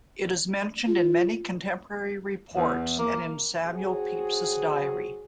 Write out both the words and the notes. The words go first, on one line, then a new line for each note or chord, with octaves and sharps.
It is mentioned in many contemporary reports and in Samuel Pepys's diary.
F4
E2
A#3
F#3 C4 F#4 G#4